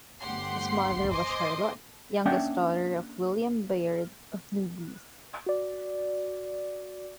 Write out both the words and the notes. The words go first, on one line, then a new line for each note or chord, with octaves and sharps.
His mother was Charlotte, youngest daughter of William Baird of Newbyth.
G1 D2 G4 F#5 C6 C7
C5 D#5 G#5 C6 D6
A#3 C#4 D4 E5 F#5 G5
F#4 D5